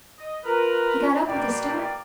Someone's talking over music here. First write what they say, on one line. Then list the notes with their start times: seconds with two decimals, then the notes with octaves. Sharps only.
He got up with a start.
0.19 D#5
0.44 F4 A#4 B4
1.27 B2 A#3 D5 G5